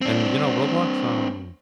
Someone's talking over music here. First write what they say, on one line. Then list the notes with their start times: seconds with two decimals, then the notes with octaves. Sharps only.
And, you know, Roblox, um
0.01 C4 D4